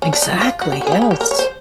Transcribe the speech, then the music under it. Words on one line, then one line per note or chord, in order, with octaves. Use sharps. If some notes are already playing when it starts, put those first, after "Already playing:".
Exactly, yes.
C#4
D4
D#4
F4
F#4
G4
F#4
G#4
G4
G#4
G4
A#4
C#5
C5